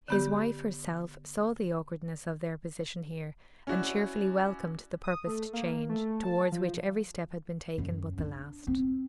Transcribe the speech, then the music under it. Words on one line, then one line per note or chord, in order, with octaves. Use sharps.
His wife herself saw the awkwardness of their position here, and cheerfully welcomed the purposed change, towards which every step had been taken but the last.
D3 B3 G4
C#4 E4 F#4 D5
D#6
A3
A#3
A3
A5
F3
F#2
D4
C4